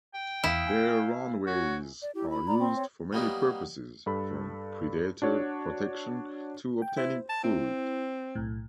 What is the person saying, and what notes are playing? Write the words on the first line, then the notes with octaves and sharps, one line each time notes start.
Their runways are used for many purposes, from predator protection to obtaining food.
G5
E2 E4 F5 D#6
G#5
F#4 C#5
D5
E4 G4
B5
D5 A#5
C4
C#5
F#3 G3 A#3 B3 D#4 G4
G2 A4 B5
D4 F#4 C#5
G5
E4 C5
A5
C4 E4
B1 A2